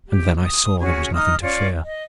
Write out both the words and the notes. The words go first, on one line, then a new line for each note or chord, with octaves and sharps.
And then I saw there was nothing to fear.
G4
D#6
C#4 F#4 G#4
D#4 D#5 D#6 F6
C#4 F4 D5
D#5